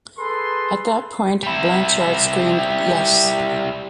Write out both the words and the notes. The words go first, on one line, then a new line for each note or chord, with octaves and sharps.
At that point, Blanchard screamed Yes!
G#4 A4 B4 B5 C6
G3 E4